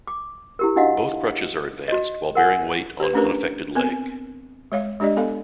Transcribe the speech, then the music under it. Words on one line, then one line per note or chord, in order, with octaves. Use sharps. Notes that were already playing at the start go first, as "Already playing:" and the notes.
Both crutches are advanced while bearing weight on unaffected leg.
D6
E4 G4 A#4
D4 D#4 F#4 D#5 F5 F#5
F#4 D#5
A#4 F#5 G#5
G4 B4
A3 C#4 D4 G4 A#4 B4
B3 C4 A#4
G#3 C#5 F5
G#3 D4 G4 D5 D#5
B3 A4 F5